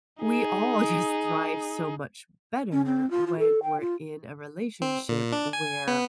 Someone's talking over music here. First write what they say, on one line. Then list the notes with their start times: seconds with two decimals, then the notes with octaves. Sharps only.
we all just thrive so much better when we're in a relationship where,
0.21 D#4 G#4
2.72 C#4
2.85 C4
3.10 F4
3.26 F4
3.39 A4
3.62 G5
3.80 F4
4.82 C4
5.09 A#2
5.33 D4
5.53 G#5
5.88 B3